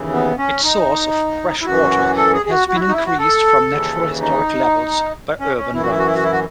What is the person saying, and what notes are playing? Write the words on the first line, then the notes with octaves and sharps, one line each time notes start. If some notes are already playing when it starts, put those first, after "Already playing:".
Its source of freshwater has been increased from natural historical levels by urban runoff.
Already playing: D#2 C#3 E3
B3
C#4
D#4
E4
F#2 E3 F#4
A4
G#4
G#4
F#4
F#4
E4
F#4
D#4
E4
F#4
A4
D#2 C#3 E3
D#4
C#4
C#4
F#2 E3 E4
F#4
E4
F#4
E4
F#4
E4
F#4